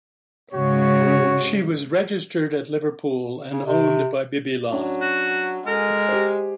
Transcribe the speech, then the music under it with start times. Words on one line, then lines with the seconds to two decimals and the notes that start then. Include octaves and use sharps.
She was registered at Liverpool and owned by Bibby Line.
0.53 G#2 C#3 F#4 C#5
3.50 C#3
3.65 C3
4.72 F#3 C#4 D4
5.01 F#4
5.67 G#3 A4 A#4 G#5
6.09 G4 C5